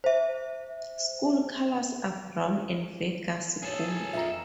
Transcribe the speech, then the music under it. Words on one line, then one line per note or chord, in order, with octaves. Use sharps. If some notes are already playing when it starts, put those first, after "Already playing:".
School colors are brown and Vegas gold.
C5 E5
F#2 C#4 G#4 A4
F2 B3 F4 E5 A#5